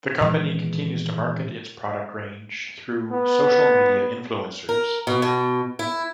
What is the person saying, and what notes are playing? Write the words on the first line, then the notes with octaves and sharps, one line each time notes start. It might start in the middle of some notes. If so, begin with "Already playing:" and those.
The company continues to market its product range through social media influencers.
A#2 D#3 E3 G#3
B3
A#4
B2
B2
E4